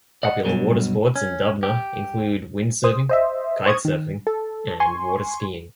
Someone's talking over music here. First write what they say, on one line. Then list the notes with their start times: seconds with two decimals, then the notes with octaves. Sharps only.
Popular water sports in Dubna include windsurfing, kitesurfing, and water-skiing.
0.23 D5 D#5 F#5
0.45 G2 B2 F#3
1.16 C#4
1.63 G4
2.84 C5 D#6
3.09 C5 D#5 E5
3.66 C5 C#6 D#6 G#6
3.85 D#3
4.27 A4
4.80 G#5 C6 C#6